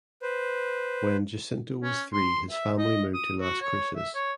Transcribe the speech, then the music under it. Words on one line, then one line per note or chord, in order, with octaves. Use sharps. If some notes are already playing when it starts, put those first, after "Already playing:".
When Jacinto was three his family moved to Las Cruces.
B4 C5
C#4
C6
E5
D#5
D#6
F#4
C#5
E5
C#5